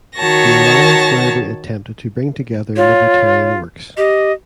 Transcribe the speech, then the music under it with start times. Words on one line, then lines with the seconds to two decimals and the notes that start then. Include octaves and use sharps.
The Alliance library attempted to bring together libertarian works.
0.17 D#3 F#4 C#5 A5 A#6
2.76 F4 C#5
3.97 G4 D#5